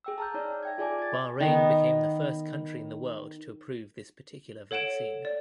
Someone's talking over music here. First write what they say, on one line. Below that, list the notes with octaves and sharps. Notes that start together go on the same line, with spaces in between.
Bahrain became the first country in the world to approve this particular vaccine.
G#4 G5 E6
A5 A#5 E6 F6 G6
D#4 G#4 C#5 D5
E5 G5 G#6
F4 G#4 D5 G#5 A5 D6
G#6 A6
D#3 B3
A4 C#5 F#5 D7 E7
D5